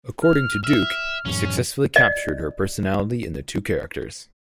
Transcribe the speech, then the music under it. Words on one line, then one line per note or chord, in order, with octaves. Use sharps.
According to Duke, he successfully captured her personality in the two characters.
F6
E5 F6
F#2 A2 F3 C#4
D5 D#5